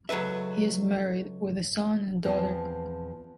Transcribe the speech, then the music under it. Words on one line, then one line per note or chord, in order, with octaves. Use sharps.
He is married, with a son and a daughter.
C#2 F#3 A3 B4 E5
E2 F3 C4 C5 C#5 A5